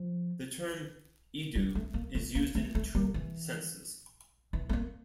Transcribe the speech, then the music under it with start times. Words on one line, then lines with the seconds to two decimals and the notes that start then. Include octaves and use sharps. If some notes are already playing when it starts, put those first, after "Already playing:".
The term "idu" is used in two senses.
Already playing: F3
1.55 G3
1.75 A3
1.94 A#3
2.15 A3
2.35 A#3
2.55 A3
2.75 A3
2.95 G3
3.14 E3
4.53 E3
4.69 A3
4.73 A#3